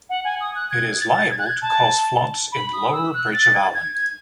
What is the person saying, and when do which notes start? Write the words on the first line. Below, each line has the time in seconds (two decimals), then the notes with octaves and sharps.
It is liable to cause floods in lower Bridge of Allan.
0.10 F#5
0.25 G#5
0.41 D#6
0.55 F#6
0.71 G#6
1.01 A6
1.31 G#6
1.39 F#6
1.46 G#6
1.62 A5
2.52 B5
2.73 D#6
2.93 E6
3.14 F#6
3.33 A6
3.54 G#6
3.74 G#6
3.95 G#6